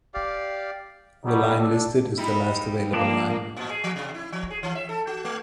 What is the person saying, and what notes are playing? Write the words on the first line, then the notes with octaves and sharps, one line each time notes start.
The line listed is the last available line.
G4 D5 F5
A#1 B2 F#3 G3 D#4
D4 A4
G3 D#4 E4
F3 A#3 D4
A#2
G#4
F3
C3
E4
F3
G#4
E3
E5
A4
F#4
A3